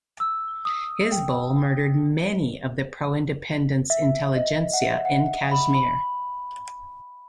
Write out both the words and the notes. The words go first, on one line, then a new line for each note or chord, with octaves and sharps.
Hizbul murdered many of the pro-independence intelligentsia in Kashmir.
E6
D#6
G5
E5
D#5
F#5
E5
F#5
B5
B5